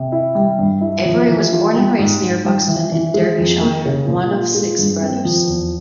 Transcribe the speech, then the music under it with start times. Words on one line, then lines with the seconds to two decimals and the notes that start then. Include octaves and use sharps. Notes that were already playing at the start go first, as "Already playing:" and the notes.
Avery was born and raised near Buxton in Derbyshire, one of six brothers.
Already playing: C3
0.12 E4
0.35 G3
0.59 G2
0.81 E4
1.05 F3
1.28 E3
1.52 F4
1.75 G3
1.99 G#2
2.21 G#2
2.45 G3
2.68 E3
2.92 E3
3.14 G#3
3.38 F2
3.61 A#3
3.85 C#3
4.08 A#2
4.32 F4
4.55 G#3
4.79 G2
5.01 C4
5.25 F3
5.47 E2